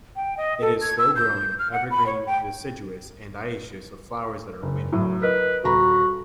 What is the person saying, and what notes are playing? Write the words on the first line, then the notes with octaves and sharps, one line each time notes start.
It is slow-growing, evergreen to deciduous, and dioecious, with flowers that are wind-pollinated.
G5
D#5
A4
G#6
E6
G6
F6
F#5
B5
C#5
G5
F#1
A2 F#3
A#4 B4 D#5
D#1 F#4 A#5 B5